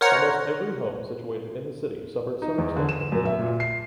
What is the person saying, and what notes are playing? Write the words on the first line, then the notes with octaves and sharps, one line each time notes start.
Almost every home situated in the city suffered some extent of damage.
A#4 C5 C#5 F#5 A#5
D#4
E2
D3
E7
F#2
E5
A#2
C7